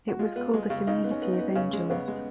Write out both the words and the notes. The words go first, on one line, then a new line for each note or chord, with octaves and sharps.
It was called "A Community of Angels".
F#4
G#3 F4
B3
G#3
C#3
C#3 D#4
B3
C#4
B3
D#4
B3
C#3 C#4
G#3
C#3 B3
G#3